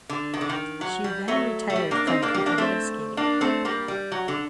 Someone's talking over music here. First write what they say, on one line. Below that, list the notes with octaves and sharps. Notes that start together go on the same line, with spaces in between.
She then retired from competitive skating.
D3
D#3
D3
D#3
F#3
G3
F#3 A3
A3
G3
A#3 D4
C4 D#4
A#3 D4
G3 A#3
A#3 D4
A3 C4
A#3 D4
A3 C4
G3 A#3
G3
F#3
D3